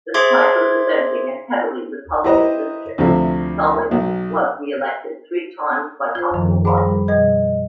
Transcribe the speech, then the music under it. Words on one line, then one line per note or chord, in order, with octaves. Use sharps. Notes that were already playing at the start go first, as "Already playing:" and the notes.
Despite representing a heavily Republican district, Stallings was re-elected three times by comfortable margins.
G#4 C5 E5 C6 D6 G#6
E4 G4 B4 C5 D#5 A#5
D2 C3 F3 A3 E5
B1
F4 C5
F#2 D#3 F3
G#4 C5 A#5 B5
G3
B2 G3 G#4 D#5